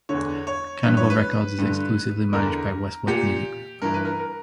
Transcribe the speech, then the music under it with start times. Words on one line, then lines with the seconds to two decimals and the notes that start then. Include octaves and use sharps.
Carnival Records is exclusively managed by Westwood Music Group.
0.09 E2 D3 C#5
0.47 C#5
0.83 G2 E3 B4
0.97 C#5
1.10 B4
1.58 G2 D3
2.33 E2 D3 A#4
3.07 A#2 G4
3.82 G2 E3 A#4
3.94 B4
4.05 A#4
4.19 A#4